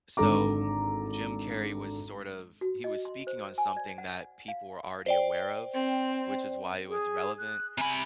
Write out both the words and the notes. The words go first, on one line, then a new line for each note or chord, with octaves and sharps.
So, Jim Carrey was sort of he was speaking on something that people were already aware of, which is why it was relevant,
G#1 D3 A4 A#5 D6
F#4
D#5
C6
C5
G#5
D5
F#5
F5
C5 D5 G5
C4
G#4
F#6
C3 G#5 B5